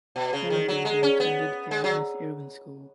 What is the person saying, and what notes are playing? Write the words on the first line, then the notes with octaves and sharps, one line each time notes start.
Shellenberger attended The Agnes Irwin School.
B2
C#3
D#3
F#3
G#3
C#4
B3
G#3
F#3